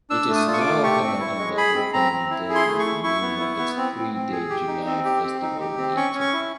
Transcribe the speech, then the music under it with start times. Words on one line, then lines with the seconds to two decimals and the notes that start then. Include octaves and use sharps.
It is now held on the opening day of Newmarket's three-day July Festival meeting.
0.10 D4 E6
0.28 A3
0.35 D#6
0.47 F4
0.53 C#6
0.60 D6
0.66 A3
0.83 G4 C#6
1.03 C4
1.20 E4
1.39 G#3
1.57 G#4 B5
1.75 C4
1.93 C4 A#5
2.13 C4
2.30 E4
2.49 G#4
2.55 C6
2.68 A3
2.79 C#6
2.86 E4
3.03 E4 C#6
3.22 B3
3.40 E4
3.58 B3
3.77 C4
3.96 C4
4.14 C4
4.32 G#4
4.50 G4
4.68 D#4
4.86 C4
5.05 G4
5.24 C4
5.42 D#4
5.60 G4
5.78 C4
5.96 C#4 C#6
6.14 C#4
6.20 C#6
6.33 E4